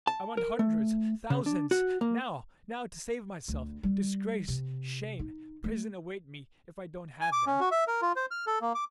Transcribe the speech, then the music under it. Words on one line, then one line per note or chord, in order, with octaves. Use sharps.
I want hundreds--thousands--now, now, to save myself! Disgrace, shame, prison await me if I don't have them.
A5
A#4
A3
C#3
D4
F#4
A#3
D2
G3
C3
D#4
A3
G#5
D6
C#4
F#4
E5
A#4
F4
C5
F6
A4
A#3
D6